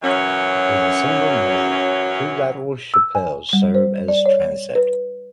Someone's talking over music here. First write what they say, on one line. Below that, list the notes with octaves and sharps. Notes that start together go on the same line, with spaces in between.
With a single nave, two lateral chapels serve as transept.
F#2 E3 F#3 C#4
E6
G#5
G3
C5
D5
C#5
B4